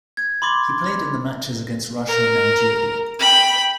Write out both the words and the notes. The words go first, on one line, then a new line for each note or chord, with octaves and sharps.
He played in the matches against Russia and Algeria.
G#6
B5 C6 D6 A6
A#4
G5 B5